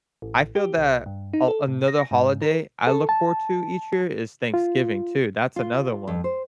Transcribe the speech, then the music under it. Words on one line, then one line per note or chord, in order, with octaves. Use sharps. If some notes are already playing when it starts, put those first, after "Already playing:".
I feel that, uh, another holiday I look forward to each year is Thanksgiving, too. That’s another one
A1
G4
C2
G2
D#4
A4
A2
A#6
G#2
A#4
A4
A5
F4
F4
F2
C5